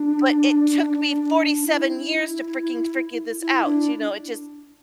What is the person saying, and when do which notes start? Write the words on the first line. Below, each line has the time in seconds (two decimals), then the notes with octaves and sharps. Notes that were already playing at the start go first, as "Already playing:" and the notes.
but it took me forty-seven years to freaking figure this out, you know? It just
Already playing: D4
1.67 E4
3.41 E4
3.65 D4